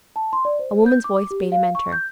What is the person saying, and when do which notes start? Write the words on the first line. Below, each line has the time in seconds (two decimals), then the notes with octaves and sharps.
A woman's voice bade him enter.
0.16 A5
0.33 C6
0.45 D5
0.59 C5
0.86 G6
1.04 D6
1.31 G4
1.52 F5
1.75 C#6
1.92 G6